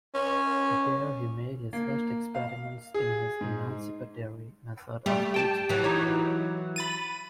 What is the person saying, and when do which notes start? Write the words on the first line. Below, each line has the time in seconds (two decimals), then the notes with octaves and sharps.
There he made his first experiments in his "emancipatory" method of teaching.
0.15 C#4
1.73 A#3
2.35 F5
2.94 G#4
3.41 G#2
5.06 G3 A3 G4
5.34 G5 A5
5.69 E3 F#3
5.84 D#4 G4 C#5
6.76 B5 A6 D#7